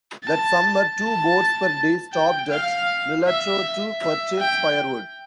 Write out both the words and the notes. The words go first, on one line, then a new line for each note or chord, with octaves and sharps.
That summer, two boats per day stopped at Nulato to purchase firewood.
A5
A5
G5
F5
E5
E5
G5